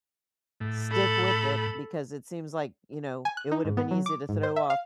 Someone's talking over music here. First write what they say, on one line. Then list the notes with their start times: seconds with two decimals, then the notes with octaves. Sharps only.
stick with it because it seems like, you know, it woulda been easy to throw off
0.60 A2
0.92 A4 B5
3.25 G#5
3.37 F#6
3.52 D#4
3.65 G#2
3.77 B3
3.91 F#3
4.06 D6
4.29 G#2
4.43 C5
4.56 E5
4.70 F5